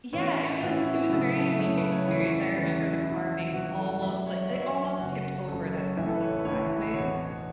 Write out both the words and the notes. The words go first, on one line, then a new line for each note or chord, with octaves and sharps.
yeah, it was it was a very unique experience. I remember the car being almost like it almost tipped over, that's how, like, sideways it was.
A2 E3 C#4 E4 C#5
A2 E3 C#4 E4 F#4
E4
E4
F#2 C#3 A3 E4 F#4
A4
E5
F#2 C#3 A3 E4 C#5
B4
C#5
E2 E3 A3 C#4 E4 C#5
C#5
E2 E3 A3 C#4 E4 B4
E4
E2 B2 F#3 E4
E2 B2 F#3 F#4
A4
F#2 F#3 B3 E5
C#5
E5
C#5
F#2 F#3 B3 E5
C#5
F#1 F#2 C#3 F#4
F#1 F#2 C#3 A4
C#5
A1 A2 E3 A3 E4 E5
A4
B4
C#5
B4
A1 A2 E3 A3 E4 C#5
E2 B2 B3 C#5